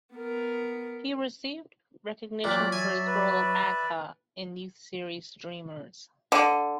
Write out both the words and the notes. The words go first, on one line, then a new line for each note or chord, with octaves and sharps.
He first received recognition for his role of Agha in Youth series "Dreamers".
B3 A#4
A#2 F#3 G4 D5 F#6
D5 E5 G#5
B4
D3